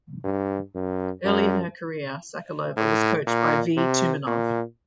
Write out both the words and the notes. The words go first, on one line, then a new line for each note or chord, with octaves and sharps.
Early in her career, Sokolova was coached by V. Tumanov.
G2
F#2
F#2
A2
A#2
C3
A#2